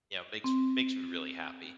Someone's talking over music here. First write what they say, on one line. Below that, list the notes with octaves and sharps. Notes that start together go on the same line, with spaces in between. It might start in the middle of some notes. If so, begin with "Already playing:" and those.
you know, makes makes me really happy.
C4